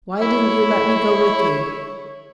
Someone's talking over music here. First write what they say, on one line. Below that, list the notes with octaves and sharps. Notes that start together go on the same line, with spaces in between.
"Why didn't you let me go with you?"
E4 C#5